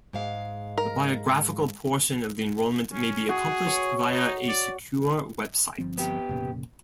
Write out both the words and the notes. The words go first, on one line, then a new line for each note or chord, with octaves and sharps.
The biographical portion of the enrollment may be accomplished via a secure web site.
G#2 G#3 F5
A#4
C#4
F#4 G#4
C#5
D#4
D5
G1 F3 C4
B3 G4
F1 A#2 C#3